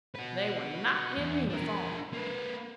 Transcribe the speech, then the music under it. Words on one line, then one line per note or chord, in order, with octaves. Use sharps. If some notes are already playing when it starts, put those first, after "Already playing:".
They were not in uniform.
F#4 B4
E2
D4 A#4
A#3 B4